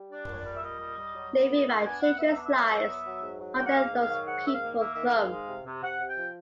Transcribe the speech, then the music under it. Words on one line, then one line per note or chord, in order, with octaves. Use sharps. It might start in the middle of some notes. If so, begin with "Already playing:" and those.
Leaving my children's lives under those people thumb.
Already playing: G3
D4 D5
A#2 C#5
D5
G3
E5
A#2 D#5
G3
G3
F#3
B3
A#2
D#5
D4 E5
B3 G#5
B3 F#5
B3 E5
D4
E5
F#3
F#3
B3
F#3
G#2
F#3
A#3 G5
F#5
G#2 F5
D#3
F5
F#3
G#2 F#5
D#3 E5
F5
A#3
A#3 E5
D#3 E5
F5
G#2
G#3
C3
C3
C3 F#5
C3
G5
F3